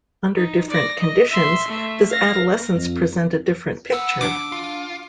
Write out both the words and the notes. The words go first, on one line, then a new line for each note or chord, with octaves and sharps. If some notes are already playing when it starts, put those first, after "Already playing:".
Under different conditions does adolescence present a different picture?
D#4
D5 A#6
D#5
E5 C6
A3 E5
F5 A#6
F2
B3 F#5 E6
D4 D6
F4